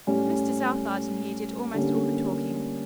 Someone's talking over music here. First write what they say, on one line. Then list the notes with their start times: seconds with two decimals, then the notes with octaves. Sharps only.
Mr. Southard and he did almost all the talking.
0.07 A2 G3 C#4
1.73 D3 G3 A#3 C#4